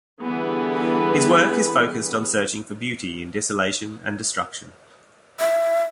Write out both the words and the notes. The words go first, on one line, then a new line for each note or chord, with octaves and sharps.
His work is focused on searching for beauty in desolation and destruction.
D3 E3 G3 B3 G#4 B4
E5